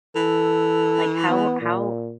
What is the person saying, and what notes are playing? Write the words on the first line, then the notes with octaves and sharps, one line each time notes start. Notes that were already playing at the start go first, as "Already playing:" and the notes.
Like, how how
E3 A4
B3
A#2